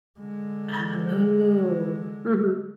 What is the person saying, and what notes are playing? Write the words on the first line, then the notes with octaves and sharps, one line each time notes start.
Oh. Mhm.
D3 G#3